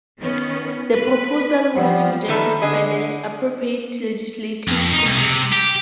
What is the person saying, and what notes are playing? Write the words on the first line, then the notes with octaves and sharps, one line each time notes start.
The proposal was rejected by the appropriate legislative committee.
D#3 B3 C#4
B4
F3 G3 B3
D#3 G3 A4 B4 E5
D3 G#4 D#5
F2
D#4
C2
C3
G4